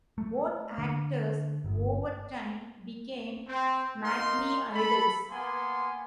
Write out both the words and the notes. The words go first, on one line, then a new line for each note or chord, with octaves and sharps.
Both actors, over time, became matinee idols.
A3
D3
G1
C4
D#4 A#4 D#5 F5 C6
A4 B5
A#3 B3 G#5 C6